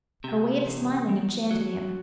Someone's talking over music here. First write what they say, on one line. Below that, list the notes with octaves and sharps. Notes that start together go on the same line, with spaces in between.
Her way of smiling enchanted him.
C3
E2
E2
F#3